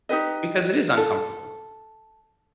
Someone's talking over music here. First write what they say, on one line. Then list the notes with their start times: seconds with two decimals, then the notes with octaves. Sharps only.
because it is uncomfortable.
0.09 D#4 G4 B4 D#5
0.97 A4